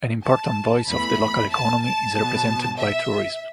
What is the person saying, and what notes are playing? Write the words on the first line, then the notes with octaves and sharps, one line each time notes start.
An important voice of the local economy is represented by tourism.
A5
E2 E3 A3 B5
A5
A5
B2 F#3 B3
E5